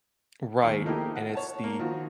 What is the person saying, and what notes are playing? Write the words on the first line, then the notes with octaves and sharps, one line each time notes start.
Right. And it's the
D#2 G#2 G#4
F3 A3 A#3 D#4 E4 G4
F#5
C#5 A5
A#3
D#3 F3 F4 F#4